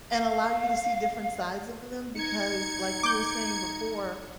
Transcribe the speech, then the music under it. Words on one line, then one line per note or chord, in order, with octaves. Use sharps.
and allow you to see different sides of them, because, like, you were saying before,
F5
D#4 G#6 C#7
D6 G6